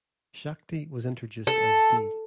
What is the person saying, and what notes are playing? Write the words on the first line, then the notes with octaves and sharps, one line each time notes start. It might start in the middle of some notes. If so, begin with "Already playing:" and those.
Shakti was introduced as 'D.
A4